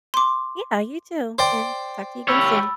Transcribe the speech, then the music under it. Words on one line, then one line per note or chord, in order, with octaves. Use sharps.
Yeah, you too, and talk to you again soon.
C6 D6
C5 D5 G5
G4 C#5 B5 E6 A6